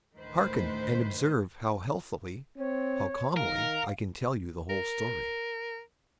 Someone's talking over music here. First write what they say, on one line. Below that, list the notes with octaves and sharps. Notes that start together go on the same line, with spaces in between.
Hearken! and observe how healthily--how calmly I can tell you the whole story.
D2 A2 D#3 B4 C5
C4 C#5
D#3 A#4 F5
A#4